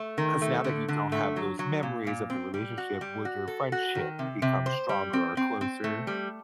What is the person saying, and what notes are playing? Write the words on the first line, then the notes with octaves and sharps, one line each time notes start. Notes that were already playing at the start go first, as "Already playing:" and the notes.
'cause now that you don't have those memories of the relationship, would your friendship become stronger or closer
Already playing: A3
D#3
A3
D3
D3
A3
F#3
F#3
A#2
A#2
C4
G3
F#4
G3
F#4
A4
F#4
D#3
C3
C3
C5
G3
C4
C4
C4
A3
G3